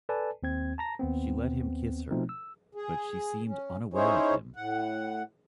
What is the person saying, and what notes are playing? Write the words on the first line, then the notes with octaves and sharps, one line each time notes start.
She let him kiss her, but she seemed unaware of him.
A4 B4 D5 G#5 A5
D#2 C4 G#6
A5 A#5 A#6
D#2 B3 C4
B2 F3 A3 C4 D#4
E6
G#4
C#4
C#4 D#4 E4 G#4 C5 C#5
A2 F#5